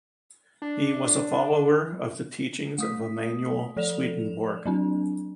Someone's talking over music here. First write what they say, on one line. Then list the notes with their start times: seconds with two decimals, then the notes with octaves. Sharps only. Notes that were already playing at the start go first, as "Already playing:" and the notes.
He was a follower of the teachings of Emanuel Swedenborg.
0.62 D4
2.78 A3 D#6 B6
3.76 F3 A4 D5 E7 F7
4.66 F#3 C4 D4